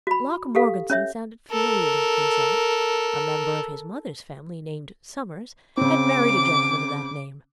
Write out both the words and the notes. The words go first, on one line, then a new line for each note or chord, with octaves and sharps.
Locke Morgeson sounded familiarly, he said; a member of his mother's family named Somers had married a gentleman of that name.
F#4 B5
G4 A4 F5
C#4 C#5 E5
A4 A#4
C#3 C4 D6